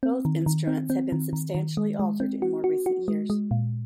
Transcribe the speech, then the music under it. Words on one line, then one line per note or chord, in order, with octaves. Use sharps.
Both instruments have been substantially altered in more recent years.
C4
D#3
D#3
C4
C4
D#3
D#3
D#3
G#3
G#3
C4
F#4
F#4
F#4
G#3
G#3
A#2